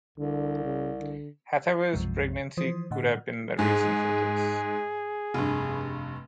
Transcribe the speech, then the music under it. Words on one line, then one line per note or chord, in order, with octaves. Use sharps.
Hathaway's pregnancy could have been the reason for this.
C2 D3
C#3
D3
B1 F#2 C3 F3 G#3
E3 F3 C5 D#6
A2 D3 D#5 F#5
G#2 G#4
F1 G2